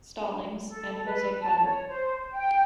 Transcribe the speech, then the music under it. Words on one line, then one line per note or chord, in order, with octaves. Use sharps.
Stallings, and Jose Padua.
A4
B4
A5
C#5
C5
G5